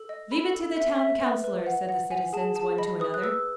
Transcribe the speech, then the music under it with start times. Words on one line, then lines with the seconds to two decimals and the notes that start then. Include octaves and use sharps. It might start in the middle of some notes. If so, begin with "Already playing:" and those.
'Leave it to the Town Counsellor,' said the citizens one to another.
Already playing: A4
0.09 D#5
0.32 A4 B5
0.55 A4
0.77 E5
0.99 E5
1.22 B4
1.44 B4
1.67 F#5
1.89 F#5
2.10 F#5 G#5
2.33 G#4 A5
2.55 G#4 A5
2.78 D#5 B5
3.00 B4 D#6
3.14 F#6
3.22 B4 E6